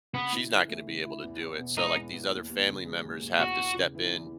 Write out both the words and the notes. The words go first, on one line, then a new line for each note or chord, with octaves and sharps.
she's not gonna be able to do it, so, like, these other family members have to step in
C#3 B3
E4
E3
A3
C#3
E4
E2
E2
B2
G#3 D#4
E2
E2
D#2
D#2
C#3
G#3
D#2
D#2
E2 F#4
E2
C#3
E3
E2